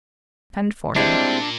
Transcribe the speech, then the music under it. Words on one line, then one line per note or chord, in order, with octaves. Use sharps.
Send for him.
A#2 G3 G#3 C4 D4 E4